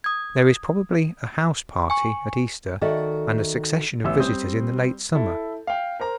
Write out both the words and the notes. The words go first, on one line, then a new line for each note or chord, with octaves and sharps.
There is probably a house-party at Easter, and a succession of visitors in the late summer.
D#6 G#6
G#5 C#6
D#3 F#4 A4 D5 E5
A1 B3 E5 E6
G3 C4 D#6 G6
E4 A4
F5 G5
A#4 C5 A#5